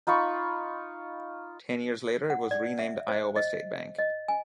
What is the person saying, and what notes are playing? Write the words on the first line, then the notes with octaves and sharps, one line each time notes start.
Ten years later it was renamed Iowa State Bank.
D#4 F4 B5 C#6
F#5
D5
E5
C5
D#5
D#5
G#5